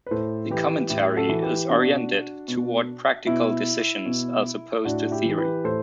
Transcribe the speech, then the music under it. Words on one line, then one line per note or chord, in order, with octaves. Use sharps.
The commentary is oriented toward practical decisions as opposed to theory.
B4
A2 A4 C5
E3 G4 B4
A2 E4 G4
F#4 A4
E3
G4 B4
B2 D4 F#4
B2
B2 E4
B2
A2 D4 F#4
E4 G4
E3
G4 B4
A2 A4 C5